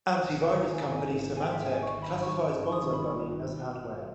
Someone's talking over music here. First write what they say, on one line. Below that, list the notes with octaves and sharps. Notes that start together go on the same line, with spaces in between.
Anti-virus company Symantec classifies BonziBuddy as Adware.
G#1
G#2 E3 A#3 C#6
G#1 A#5
G#5
G#2 E3 A#3 A#5
G#5
G#1
G#2 E3 A#3
G#5
G#1 G5
E5
G#2 E3 A#3 G5
G#5
G#1 C#6
G2 D#3 G3 B5
G#1 C#6
G2 D#3 G3
G#1 C#6
D#6
G2 D#3 G3 C#6
B5
G#1 C#6
G2 D#3 G3
B2